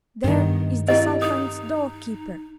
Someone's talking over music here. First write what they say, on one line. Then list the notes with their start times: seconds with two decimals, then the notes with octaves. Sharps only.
'There is the Sultan's door-keeper!
0.24 G2 D#3 B3
0.88 C4 E4 G4 D#5
1.22 D#4 D#6